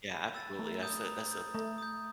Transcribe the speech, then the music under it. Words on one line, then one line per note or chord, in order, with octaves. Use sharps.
Yeah, absolutely that's a that's a
B5
E6 A6
A3 A#5
D#6 G6
A#5
D#6 G6
A3 A#5
D#6 G6